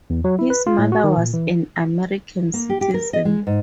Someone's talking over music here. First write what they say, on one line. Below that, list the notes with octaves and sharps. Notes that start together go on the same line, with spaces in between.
His mother was an American citizen.
E2
F#3
E4
B4
F4
A2
F#4
D#3
A#2
E3
A#3
G4
G4
A#4
D#5
G#3
G#2